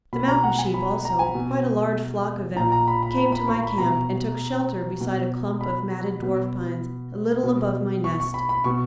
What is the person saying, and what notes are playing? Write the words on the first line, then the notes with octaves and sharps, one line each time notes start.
The mountain sheep also, quite a large flock of them, came to my camp and took shelter beside a clump of matted dwarf pines a little above my nest.
B2 B5
A#5
F#5
G#5
B5
A#5
G#5
B2
A#2 A#5
A#5
B5
B5
B5
B5
C#6
B5
B2 A#5
B2
B5
B2
B2
C#6
C#6
B5
B5
B2 C#6